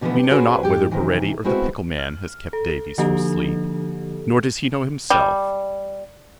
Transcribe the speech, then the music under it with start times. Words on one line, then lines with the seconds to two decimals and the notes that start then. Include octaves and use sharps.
We know not whether Baretti or the pickle-man has kept Davies from sleep; nor does he know himself.
0.01 B2 D3 E3 F3 A3 B3
0.19 D4 G4
0.30 C#4 F#4 G#4 A4 B4 C5
0.63 G#2 G4 G5
0.91 C3 D#3 E3
1.44 G#3 A3 B3 C4 E4 F#4
1.99 F6
2.53 A4
2.98 D3 F3 A#3 D4 G4 A4
5.10 G3